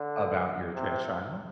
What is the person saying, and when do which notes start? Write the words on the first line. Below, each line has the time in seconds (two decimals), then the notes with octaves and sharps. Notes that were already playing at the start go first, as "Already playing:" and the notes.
about your trans child?
Already playing: D3
0.75 C3